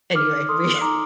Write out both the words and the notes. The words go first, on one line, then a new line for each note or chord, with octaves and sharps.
Anyway, we
D#4 D6 F6
A4 C6 D#6
D#4 A#5 D6